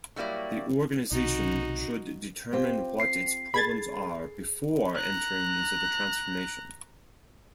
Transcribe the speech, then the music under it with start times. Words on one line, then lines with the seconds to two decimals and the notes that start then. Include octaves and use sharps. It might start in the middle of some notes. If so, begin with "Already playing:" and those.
The organization should determine what its problems are before entering into the transformation.
0.16 F#3 G3 A#3 E4 D5
1.11 B1 C3 D#3 D#4 F#4
2.53 C4 F4 G4
3.00 C7
3.54 G#4 A4 B5 G#6 A6
4.96 A#5 F#6